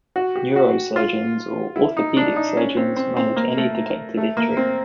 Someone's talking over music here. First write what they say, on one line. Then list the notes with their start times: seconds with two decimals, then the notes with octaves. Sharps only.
Neurosurgeons or orthopaedic surgeons manage any detected injury.
0.16 F#4
0.36 G4
0.56 F#4
0.96 F4
1.76 E4
1.97 D#4
2.17 D4
2.36 D#4
2.57 C#4
2.77 C4
2.97 C4
3.17 C4
3.36 A#3
3.57 A3
4.17 A3
4.37 A#3
4.57 C4